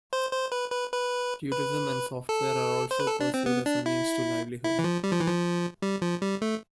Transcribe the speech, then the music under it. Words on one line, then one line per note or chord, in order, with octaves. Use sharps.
Tourism and software are also pursued as a means to livelihood.
C5
C5
B4
B4
B4
B4
A4
C5
B4
A4
D4
C4
B3
D4
E4
E4
E3
F3
G3
F3
E3
F3
G3
F3
G3
A3